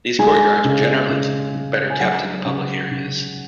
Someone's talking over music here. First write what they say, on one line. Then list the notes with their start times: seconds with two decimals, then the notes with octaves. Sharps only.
These courtyards were generally better kept than the public areas.
0.19 G#3 G#5
0.64 C#3
1.09 C#3
1.55 G#3
1.90 G#5
2.00 F#3 F#5
2.45 C#3
2.91 C#3